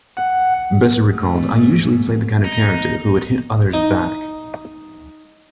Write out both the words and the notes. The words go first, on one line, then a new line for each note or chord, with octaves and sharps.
Besser recalled, "I usually played the kind of character who would hit others back".
F#5
G#2 A3
D#4
D#4 D#5